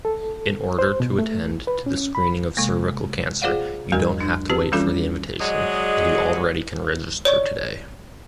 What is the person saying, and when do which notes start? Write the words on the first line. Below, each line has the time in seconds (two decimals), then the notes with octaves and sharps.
In order to attend to the screening of cervical cancer, you don’t have to wait for the invitation and you already can register today.
0.05 A4
0.79 C5
1.00 B2
1.19 A3
1.67 B4
1.86 C#4
2.15 B5
2.57 C3 G#3 A#3
3.42 F4 G#4 C5 D5 F5 F#5
3.92 E2 G2 F3 G3 F#4 A#4
4.20 D4
4.50 C4 F#4 G4 B4
4.72 E3 G3 C#4 F4 A4
5.40 F#3 G#3 G#4 D5 D#5
7.25 C#5 D5 C#6